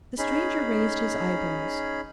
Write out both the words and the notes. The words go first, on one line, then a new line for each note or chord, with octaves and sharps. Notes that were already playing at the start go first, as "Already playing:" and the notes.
The stranger raised his eyebrows.
C#4 D#4 G#4 B5